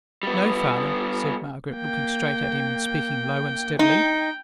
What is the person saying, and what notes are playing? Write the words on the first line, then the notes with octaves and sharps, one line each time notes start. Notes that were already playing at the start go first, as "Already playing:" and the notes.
'No, father,' said Margaret, looking straight at him, and speaking low and steadily.
G3 B3
A#3 G5
D#4 G5